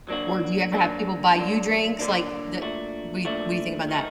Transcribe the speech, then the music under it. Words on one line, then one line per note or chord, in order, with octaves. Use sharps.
Or, do you ever have people buy you drinks? Like, the what what do you think about that?
F#3 A#3 D4 F#4
F#3 A#3 D4 F#4
D3 F#3 A#3 D4
D3 F#3 A#3 D4
A#2 A3 D4 F#4
A#2 A3 D4 F#4
D#3 A3 D#4 F#4